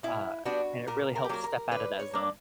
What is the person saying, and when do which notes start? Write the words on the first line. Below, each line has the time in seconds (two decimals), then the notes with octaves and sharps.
Uh, and it really helps step out of that zone.
0.03 B2 E4
0.45 G3 B3 D4 F#4
0.87 A#2 A#4
1.15 A#4
1.24 G4
1.29 F#3 A#3 A#4
1.44 A#4
1.71 D3 B4
1.99 C#5
2.13 A#3 D4